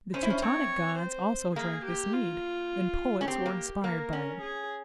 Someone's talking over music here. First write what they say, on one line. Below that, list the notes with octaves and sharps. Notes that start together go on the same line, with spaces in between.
The Teutonic gods also drank this mead, and poets were inspired by it.
C#4 C5
E4
C#4
C4 C#5
C5
A#3 G#4
G4
F4
C#4
C4 G4
A#3
A#3 A#4
C#4
G#4